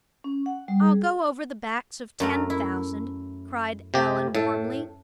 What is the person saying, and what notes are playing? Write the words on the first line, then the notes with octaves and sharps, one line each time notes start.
"I'll go over the backs of ten thousand!" cried Allan, warmly.
C#4
F#5
G3
G#4
F#2 A3 A#4
E4
C3 G4
A2 A4